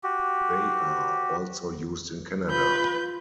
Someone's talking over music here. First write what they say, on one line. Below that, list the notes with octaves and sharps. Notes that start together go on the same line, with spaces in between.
They are also used in Canada.
F#4 G4
F4 B4 G6